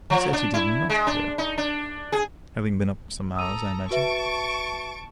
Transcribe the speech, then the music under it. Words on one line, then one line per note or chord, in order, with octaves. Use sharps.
Miss Etty did not appear, having been up some hours, I imagine.
F3
D4
E4
G#3
D4
D#4
D4
G#4
A4 A#5 D#6 E6 D#7
F#4 B4 E5 A5 C#6 D7